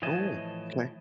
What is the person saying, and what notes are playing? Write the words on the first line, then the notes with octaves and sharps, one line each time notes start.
Oh, 'kay.
A2 E3 F3 D#5 G#5 A5